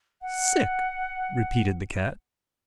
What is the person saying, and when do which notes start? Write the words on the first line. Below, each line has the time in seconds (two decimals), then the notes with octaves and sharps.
"Sick!" repeated the Cat.
0.22 F#5